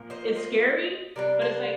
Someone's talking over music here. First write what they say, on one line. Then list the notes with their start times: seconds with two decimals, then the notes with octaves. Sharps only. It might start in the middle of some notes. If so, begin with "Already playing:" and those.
it's scary, but it's, like,
Already playing: A#2 F3 A#3
0.10 C5 D#5
0.36 C5 D#5
1.16 C3 G3 D4 A#4 D5
1.41 A4 C5